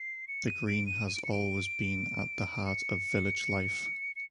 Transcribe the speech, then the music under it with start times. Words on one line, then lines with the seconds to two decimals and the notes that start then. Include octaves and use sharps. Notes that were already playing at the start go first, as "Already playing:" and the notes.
The Green has always been at the heart of village life.
Already playing: C7
0.28 C#7
0.46 D#7
0.67 D7
0.86 D#7
1.07 D#7
1.15 D7
1.24 C#7
1.32 D7
2.66 C#7
4.16 C#7